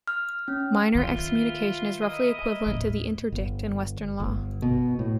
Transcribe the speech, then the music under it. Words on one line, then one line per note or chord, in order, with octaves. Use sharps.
Minor excommunication is roughly equivalent to the interdict in Western law.
F6
C#4
D#3 E3 F4
E4 A#4 D#5
D#2 A2
G1
G1
B2
A2